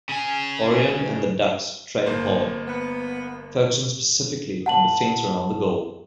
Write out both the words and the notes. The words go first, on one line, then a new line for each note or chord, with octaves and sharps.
Orion and the Ducks train hard, focusing specifically on defense around the goal.
C#3 G#5
G1 A#3 C5
B3
F#5 A5 F#7